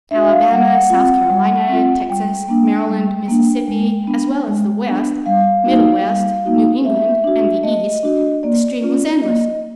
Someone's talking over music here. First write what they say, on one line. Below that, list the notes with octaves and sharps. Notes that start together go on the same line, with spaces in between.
Alabama, South Carolina, Texas, Maryland, Mississippi, as well as the West, Middle West, New England and the East-the stream was endless.
D4 F#4 E5
F5
G3 F#5
F5
F#5
C4 F4
G3
C4 F4
G3 G5
A#3 D4
G3
A#3 D4
G#3
B3 D4
G#3
B3 D4
G3 F5
A#3 D#4 F#4
G3
A#3 D#4 F#4
A3 E5
D4 F#4
A3 D#5
D4 F#4
A#3 D5
C#4 F4
A#3 D#5